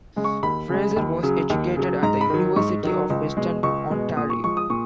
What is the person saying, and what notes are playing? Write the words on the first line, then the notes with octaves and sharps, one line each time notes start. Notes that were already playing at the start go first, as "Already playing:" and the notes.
Fraser was educated at the University of Western Ontario.
C#3 G#3
C#6
D#2 B5
C#3 G#3
D#2
C#3 F#3
D#2
C#3 F#3
G#2 A#5
B5
D#3 F#3
G#2 C#6
D#3 F#3
C#2
B2 G#3
C#2 C#6
B2 G#3
A#2 D#6
C#6
F3 G#3 C#6
D#6
A#2 C#6